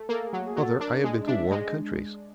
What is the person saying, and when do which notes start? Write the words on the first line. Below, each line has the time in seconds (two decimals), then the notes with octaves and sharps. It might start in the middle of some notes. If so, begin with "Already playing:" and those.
"Mother, I have been to warm countries."
Already playing: A3
0.09 A#3 A4
0.27 G#4
0.33 F#3
0.45 G#4
0.56 F#3
0.63 A4
0.80 D4 A#4
1.04 G#3
1.27 D4 E5
1.51 G#3 D#5